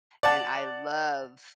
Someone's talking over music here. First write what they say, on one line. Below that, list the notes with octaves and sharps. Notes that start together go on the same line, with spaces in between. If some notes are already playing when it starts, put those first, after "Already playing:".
and I love
D5 F#5 A5